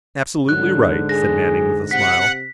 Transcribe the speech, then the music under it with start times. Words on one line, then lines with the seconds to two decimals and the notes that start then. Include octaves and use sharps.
"Absolutely right," said Manning with a smile.
0.49 G#2 D3 F#3 F#6
1.09 G#4 A#6
1.91 C3 F#5 B6